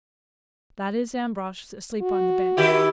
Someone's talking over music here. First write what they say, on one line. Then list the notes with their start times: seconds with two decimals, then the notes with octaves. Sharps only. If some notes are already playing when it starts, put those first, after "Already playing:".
That is Ambrosch, asleep on the bench.
2.02 F#4
2.57 D#3 E4 G4